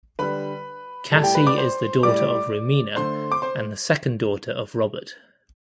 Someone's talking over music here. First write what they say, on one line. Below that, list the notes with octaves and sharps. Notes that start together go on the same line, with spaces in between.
Cassie is the daughter of Romina and the second daughter of Robert.
D3 G3 B4 B5
A2 G3 A4 A5
G4 G5
B4 B5
D5 D6
C5 C6
A2 G3 D5 D6
D3 A3 C5 C6
D6
C5 C6